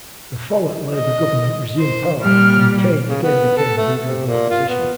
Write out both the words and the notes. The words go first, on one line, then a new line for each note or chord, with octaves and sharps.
The Follett Labor government resumed power, and Kaine again became Leader of the Opposition.
D#5
C5
A#2 G3 F6
C#3
B3
A4
A3
C3
A#2
F4
B3